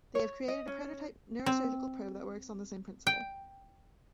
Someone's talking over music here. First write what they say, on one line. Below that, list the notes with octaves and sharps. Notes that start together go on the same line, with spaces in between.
They have created a prototype neurosurgical probe that works on the same principle.
C#5
D#5
C#4
C4
G5